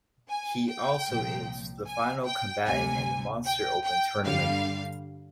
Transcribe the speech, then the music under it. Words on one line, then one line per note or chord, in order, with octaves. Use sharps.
He also is the final combatant in the Monster open Tournament.
G#5
G5
C2 A#2 F3
G#5
G5
D2 C3 G3 G#5
G5
G5
G2 D3 G3 F5